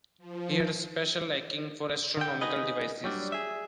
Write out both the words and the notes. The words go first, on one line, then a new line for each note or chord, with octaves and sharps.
He had a special liking for astronomical devices.
F3
D3 G5
D#4 F#4 G#4 B4 D#5
F#3 G3 D4
G#4 E5